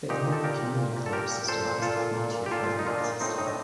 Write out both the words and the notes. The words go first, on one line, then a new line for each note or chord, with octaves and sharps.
The Illinois community college system has a three-tier governance system.
A#2 D#4 G4
A#2 A4
A#2 G4 A#4
A#2
A#2
A#2
A4
A#2 G4 A#4
A#2
A#2 A4 C5
A#2
A#2 F4 A4
A#2
A#2
A#2
G4
A#2 F4 A4
A#2
D#4
A#2 D4 F4
A#2
A2 C4 D#4
A2 D#4
D4